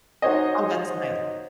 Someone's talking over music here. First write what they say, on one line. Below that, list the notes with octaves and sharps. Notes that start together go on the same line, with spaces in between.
Oh, that's nice.
D#4 F#4 C5 C#5 D#5